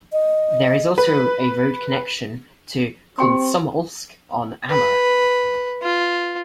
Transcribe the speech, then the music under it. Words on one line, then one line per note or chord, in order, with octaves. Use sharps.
There is also a road connection to Komsomolsk-on-Amur.
D#5
B4
C4 G4 G5 C6
B4
F4